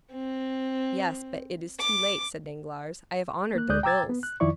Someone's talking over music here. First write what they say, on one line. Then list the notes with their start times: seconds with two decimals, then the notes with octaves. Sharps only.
"Yes, but it is too late," said Danglars, "I have honored their bills."
0.13 C4
1.80 D6
3.55 A#3 F#6
3.69 D2 G#3 D5 D#6 F#6 G6
3.83 G5 A#5 D6 E6 G#6 A6
4.09 B3
4.23 F#6
4.40 F2 D#3 F3 E4 D5 C#6